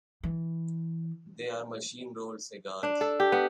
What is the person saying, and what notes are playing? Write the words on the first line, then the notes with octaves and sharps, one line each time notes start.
They are machine-rolled cigars.
E3
D4
A4
G4
B3